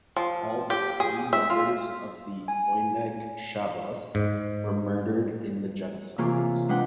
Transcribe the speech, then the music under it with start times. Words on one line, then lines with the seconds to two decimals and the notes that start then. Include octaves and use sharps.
All but three members of the Oyneg Shabbos were murdered in the genocides.
0.16 F3
0.70 G4
1.00 G#4
1.33 E5
1.50 F4
2.48 G#5
4.15 G#2
6.18 C3 E3 A#3 F4 G#4 C#5
6.68 G#3 D4 D#4 B4 F#5 G5